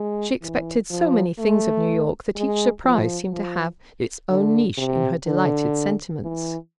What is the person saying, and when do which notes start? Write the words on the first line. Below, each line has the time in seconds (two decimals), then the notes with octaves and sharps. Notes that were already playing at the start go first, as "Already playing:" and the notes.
She expected so many things of New York that each surprise seemed to have its own niche in her delighted sentiments.
Already playing: G#3
0.42 E3
0.90 F3
1.39 A3
2.36 G#3
2.84 F3
3.32 F3
4.29 D3
4.78 C3
5.26 D3
6.23 E3